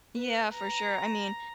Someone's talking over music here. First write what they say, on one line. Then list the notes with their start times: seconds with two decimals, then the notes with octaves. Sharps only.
Yeah, for sure, I mean,
0.15 B4
0.52 A#5